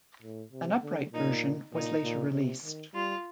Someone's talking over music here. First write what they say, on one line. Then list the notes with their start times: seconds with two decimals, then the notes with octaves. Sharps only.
An upright version was later released.
0.22 A2
0.52 C3
0.83 D3
1.13 A#2 D#4
1.73 A#2 D#4
2.03 A#2
2.33 C3
2.63 D#3
2.93 G3 F4